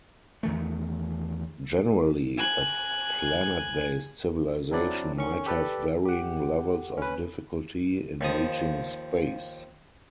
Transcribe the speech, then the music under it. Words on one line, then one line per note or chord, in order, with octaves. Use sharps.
Generally, a planet-based civilization might have varying levels of difficulty in reaching space.
E2 D#3 A3
G#5 F#6
F#3 C4 D4 E4 D5
D#3 C#4 C#6
G4 A4 B4 D5
G4 F#5
C#4 B4
D#2 F3 D#6